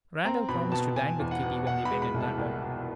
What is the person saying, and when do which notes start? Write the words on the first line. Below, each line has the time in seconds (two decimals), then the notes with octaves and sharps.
Randal promised to dine with Kitty when they met in London.
0.25 C4 A#5
0.49 B2 B5
0.72 B2 A5
0.96 B2 G#5
1.20 E2
1.31 F#5
1.43 B2
1.67 B2 F#5
1.85 G#3 B5
2.02 B5
2.14 C2
2.21 A5
2.38 C2
2.62 B2